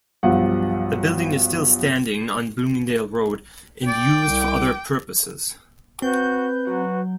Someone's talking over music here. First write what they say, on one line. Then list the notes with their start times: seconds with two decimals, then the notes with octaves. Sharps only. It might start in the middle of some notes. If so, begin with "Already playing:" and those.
The building is still standing on Bloomingdale Road and used for other purposes.
0.23 B1 G2 F3 F5 F#5
3.87 D5 G5
4.23 C2 D6
6.02 C4 F#4 B4 G6
6.67 F#3 F#4